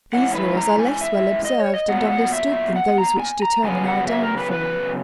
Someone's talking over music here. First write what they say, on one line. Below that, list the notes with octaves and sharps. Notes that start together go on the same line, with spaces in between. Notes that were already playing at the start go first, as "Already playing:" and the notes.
These laws are less well observed and understood than those which determine our downfall.
G#2 E3 A#3 C#4 F#5
B4
A#5
G#5
E5
D#5
C#5
D#5
A#2 F#3 B3 F#5
E5
F#5
E5
F#5
A#5
G#5
A#5
F#2 C#3 F#3 B3 G#5
F#5
E5
A#4
B4
B4